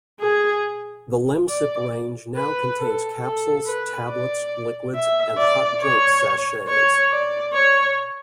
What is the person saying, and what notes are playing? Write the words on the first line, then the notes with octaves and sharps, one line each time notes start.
The Lemsip range now contains capsules, tablets, liquids, and hot drink sachets.
G#4
D5
B4
A4
A4
B4
D5
E5
D5
C#5
C#5
D5
C#5